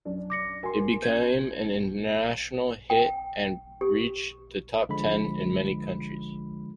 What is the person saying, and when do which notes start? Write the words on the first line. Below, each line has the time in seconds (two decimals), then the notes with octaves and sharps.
It became an international hit and reached the top ten in many countries.
0.05 F#2 D4
0.30 D6 A#6 C#7
0.63 F#4 A#4 G#5 C6
1.02 C#4 G6 G#6
2.90 G5
3.81 G4
4.89 D3 F3 G#3 B5